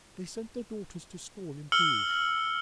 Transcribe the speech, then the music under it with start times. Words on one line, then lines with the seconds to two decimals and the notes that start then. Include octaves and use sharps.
They sent their daughters to school in Bruges.
1.72 E6 F6 C#7 F#7 G7